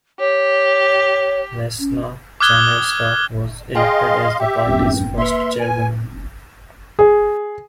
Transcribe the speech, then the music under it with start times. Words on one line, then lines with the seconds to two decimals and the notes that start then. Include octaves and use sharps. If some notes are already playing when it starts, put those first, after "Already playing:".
Vesna Janevska was elected as the party's first chairwoman.
0.20 G4 C#5
1.79 C#4
2.40 D6 D#6 F6 F#6 G#6 G7
3.75 G#4 D#5 F5 G5 G#5 C6
4.40 G4 E5 G5
5.18 A#3 B4 E5 C6
5.60 G#5
6.99 G#4